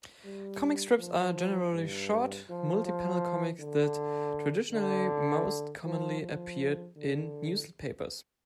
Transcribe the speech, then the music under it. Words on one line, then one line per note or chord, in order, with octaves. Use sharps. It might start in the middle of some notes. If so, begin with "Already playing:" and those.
Comic strips are generally short, multipanel comics that traditionally most commonly appeared in newspapers.
G3
F3
G2
F3
F3
D3
D3
F3
F3
D3